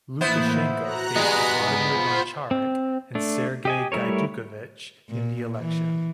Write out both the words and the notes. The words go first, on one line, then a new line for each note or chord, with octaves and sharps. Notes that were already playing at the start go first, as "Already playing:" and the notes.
Lukashenko faced Vladimir Goncharik and Sergei Gaidukevich in the election.
A2 E3 A#3 B3 E4 C5
F#4 A#5 F#6
G3 G#3 B3 G#4
G#2 D#5 G5
F4 C5 F#5
C4
A3 D4
G4 D#5 G#5
G3 A3 E4 A#4 C#5
A#2
E3